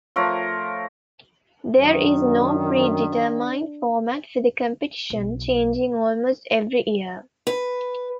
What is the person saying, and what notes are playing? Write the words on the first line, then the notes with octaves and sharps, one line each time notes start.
There is no predetermined format for the competition, changing almost every year.
F3 A3 A#4 C#5
F#2 D#3 D4
B1
B4